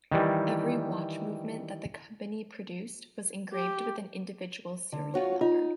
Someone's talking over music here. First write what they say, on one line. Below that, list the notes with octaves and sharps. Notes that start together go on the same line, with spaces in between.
Every watch movement that the company produced was engraved with an individual serial number.
D#3 E3 G3
G4
D3
F4 F#4 C#5
D#4 F4